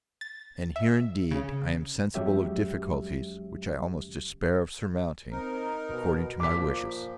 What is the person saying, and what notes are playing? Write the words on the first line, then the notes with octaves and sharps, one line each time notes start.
And here, indeed, I am sensible of difficulties which I almost despair of surmounting according to my wishes.
A6
E5
C#3
F2 F#3 G#3 C#4 G4 E5
C4 D#4 A#4
B2
A#2 F3 D6 B6